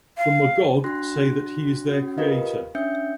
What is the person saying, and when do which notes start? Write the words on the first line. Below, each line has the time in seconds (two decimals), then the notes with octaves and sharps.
The Magog say that he is their creator.
0.18 F5
0.84 D4 F#4 C6 F#6 A#6
1.87 C#4 F#4
2.18 F4 G4 A#4 B4 D#5 F5
2.75 C#4 D4 E5 G6 C#7